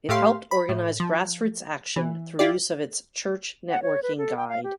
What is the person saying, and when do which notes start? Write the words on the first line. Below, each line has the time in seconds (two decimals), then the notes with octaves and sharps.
It helped organize grassroots action through use of its "Church Networking Guide".
0.09 A2 A3 G4 F5 C6
0.51 B5
0.69 A2
1.00 F3
1.96 E3
2.39 E4 F4 G4 D5
3.70 F#5
3.83 C#5
4.03 B4
4.18 A4
4.37 G5
4.49 F5
4.64 G4